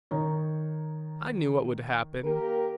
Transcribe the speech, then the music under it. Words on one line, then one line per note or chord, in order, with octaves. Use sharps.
I knew what would happen.
D#3 D#4 C#5
A#3 G4 A#4